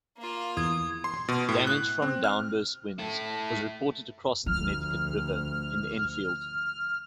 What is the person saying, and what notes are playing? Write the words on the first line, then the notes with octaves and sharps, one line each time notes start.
Damage from downburst winds was reported across the Connecticut River in Enfield.
A#3 F4
E2 D#6 G#6
C6
B2
A2
F#6
C4
F6
E4 A4
D2 F3 F6